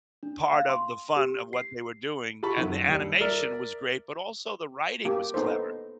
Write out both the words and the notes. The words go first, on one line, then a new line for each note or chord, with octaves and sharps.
part of the fun of what they were doing, and the animation was great, but also the writing was clever.
D4
F5
C6
G4
C7
G4 A4 A5 B5 C#6
F#2 D#3
D#2 G3
A#4 D5 E5 E6 F6
A#3 G4
B3 D#4 A4 C5